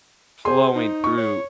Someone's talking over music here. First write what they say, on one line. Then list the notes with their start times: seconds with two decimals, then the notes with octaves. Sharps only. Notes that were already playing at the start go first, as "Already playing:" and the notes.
flowing through
0.45 G#4 C5 C6
0.75 D#4
1.04 C#6
1.17 C#5